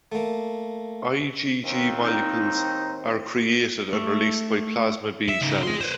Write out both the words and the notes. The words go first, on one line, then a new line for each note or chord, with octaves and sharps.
IgG molecules are created and released by plasma B cells.
A3 A#3
D#2 C4
D#4
A3
E5
C#3 D#4
G#4 C6
B4 C5